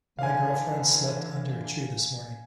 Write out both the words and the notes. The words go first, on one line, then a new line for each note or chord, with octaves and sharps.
My girlfriend slept under a tree this morning.
D3 E3 F5 G#5